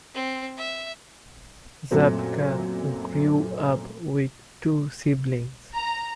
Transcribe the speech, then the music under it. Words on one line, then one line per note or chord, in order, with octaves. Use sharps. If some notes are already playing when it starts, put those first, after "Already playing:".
Zabka grew up with two siblings.
C4
E5
F#2 A#2 F#3 A3 C4
A#5